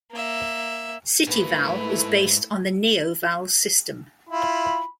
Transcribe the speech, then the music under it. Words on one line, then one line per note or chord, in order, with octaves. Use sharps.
CityVal is based on the NeoVal system.
A#3 E5
G#2 A3 A#3 E4 B4
E4 F4 B5